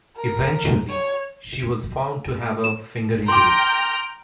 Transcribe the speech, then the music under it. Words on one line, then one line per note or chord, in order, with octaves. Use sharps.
Eventually, she was found to have a finger injury.
A#4
C#5
E7
G5 A#5 C6 D6 F6